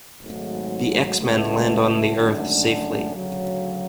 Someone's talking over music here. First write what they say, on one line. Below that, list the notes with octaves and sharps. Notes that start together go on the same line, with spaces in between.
The X-Men land on the Earth safely.
G#1 G#2 F#3 A3
C#2 B2 A3
G#1 F#2 D3 A3
D2 C#3 F#3